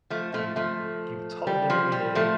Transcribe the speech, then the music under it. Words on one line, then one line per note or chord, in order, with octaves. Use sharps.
"You You talk to them every day,
F3 A3
F3 A3
F3 A3
G3
F3
G3
F3 A3